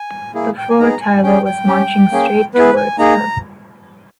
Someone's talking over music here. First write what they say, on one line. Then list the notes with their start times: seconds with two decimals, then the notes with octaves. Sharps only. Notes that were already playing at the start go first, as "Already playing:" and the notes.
The floor tiler was marching straight towards her.
Already playing: G#5
0.35 A#3 E4 G#4
0.58 G5
0.69 G#5
0.79 B3 D#4 G#4 A#5
1.01 G#5
1.23 C#4 G#4 G5
1.45 G5
1.67 C#4 G4
2.11 A#3 C#4 G#4
2.55 B3 E4 G#4 B4
2.76 G#5
2.98 A#3 D#4 G#4 A#5